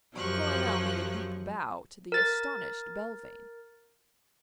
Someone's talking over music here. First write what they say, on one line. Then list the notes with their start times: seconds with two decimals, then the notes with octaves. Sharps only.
Coronel made a deep bow to the astonished Belvane.
0.16 F#2 F3 F#3 G4 C#6 F#6
2.12 A#4 A6